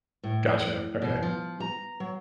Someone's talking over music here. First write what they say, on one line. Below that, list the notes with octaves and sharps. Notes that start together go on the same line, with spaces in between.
Gotcha, okay.
A2
B2
F3
A#5
F#3